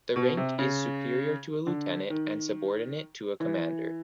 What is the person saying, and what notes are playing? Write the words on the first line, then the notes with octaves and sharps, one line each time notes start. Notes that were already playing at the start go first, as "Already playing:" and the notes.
The rank is superior to a lieutenant and subordinate to a commander.
B2
C3
C#3
D3
D#3
E3